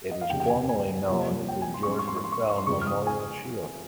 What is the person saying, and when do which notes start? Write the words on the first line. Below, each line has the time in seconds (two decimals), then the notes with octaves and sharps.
It is formally known as the George Ruffell Memorial Shield.
0.11 D#5
0.21 F5
0.30 F1 D#2 C#3 G5
0.40 G5
0.50 G#5
0.60 G5
0.69 G#5
1.09 C2 C3 F3 A#3
1.48 G5
1.62 G#5
1.74 C6
1.83 C#6
1.88 G#2 G3 C#4 C6
1.99 C#6
2.08 C6
2.16 C#6
2.24 C6
2.32 C#6
2.41 C6
2.50 C#6
2.57 C6
2.67 F1 F2 C#3 G#3 C#6
2.82 F6
2.87 D#6
3.07 G#5